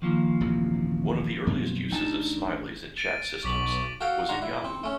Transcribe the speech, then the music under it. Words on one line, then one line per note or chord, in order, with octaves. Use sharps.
One of the earliest uses of smileys in chat systems was in Yahoo!
D#3 F3 A#3
D#1 A1 C3
F#2 B2 C4
A1 A3 D4 D#4 G5 A5
A6 D7 D#7
B1 C#6 D6 B6 F#7
F#4 A4 F5 G5
D4 F#4 A#5 C6
E4
C4
A3 C#4